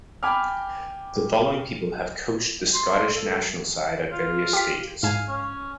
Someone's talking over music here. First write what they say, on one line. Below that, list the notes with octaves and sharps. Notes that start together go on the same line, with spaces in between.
The following people have coached the Scottish national side at various stages.
G5 G#5 B5 D6 F6
C6
A4
F4
G4 B6
G#2 F5 G#5
C#4